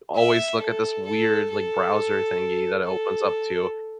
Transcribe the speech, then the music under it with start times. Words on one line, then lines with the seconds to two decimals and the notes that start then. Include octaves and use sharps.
always look at this weird, like, browser thingy that it opens up to,"
0.16 E5
0.60 A4
1.05 A4
1.51 A4
2.85 A4